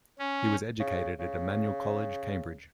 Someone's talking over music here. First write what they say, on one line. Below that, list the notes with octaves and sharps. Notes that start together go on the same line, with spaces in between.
He was educated at Emmanuel College, Cambridge.
C#4
C#3
C#3